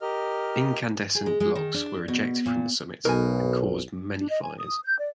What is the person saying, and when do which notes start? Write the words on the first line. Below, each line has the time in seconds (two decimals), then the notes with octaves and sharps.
Incandescent blocks were ejected from the summit and caused many fires.
0.01 G4 A#4 D#5 F6
1.15 G#4
1.26 G#3
1.40 G#3
1.55 D#3
1.74 D4
2.08 B2
2.46 A#2
3.05 B1 B2 A#4 G#5
4.18 D4
4.30 D#5
4.42 G#5
4.59 D#6
4.83 G6
4.98 D5